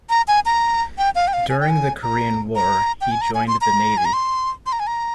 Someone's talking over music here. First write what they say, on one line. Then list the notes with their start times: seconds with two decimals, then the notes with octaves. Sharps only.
During the Korean War he joined the Navy.
0.10 A#5
0.28 G#5
0.46 A#5
0.98 G5
1.15 F5
1.28 G5
1.33 F5
1.50 G#5
1.60 G5
1.70 G#5
2.03 A#5
2.56 A#5
3.01 G5
3.11 G#5
3.21 A#5
3.35 G#5
3.48 C6
3.61 A#5
3.97 G#5
4.05 A#5
4.13 C6
4.66 C6
4.72 A#5
4.80 G#5
4.87 A#5